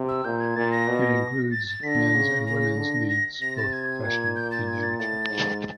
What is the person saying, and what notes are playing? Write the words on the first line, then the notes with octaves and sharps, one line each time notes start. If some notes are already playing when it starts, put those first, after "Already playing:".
It includes men's and women's leagues, both professional and amateur.
Already playing: C3
E6
A#2 G6
G#6
A#2 A6
A#6
B2
A6
A6
D3 B6
A#6
C#3
C#3 A#6
D3
A#6
C3 A#6
A6
G#6
A#2
G6
A6
G#6
A6
A2 A6
G#2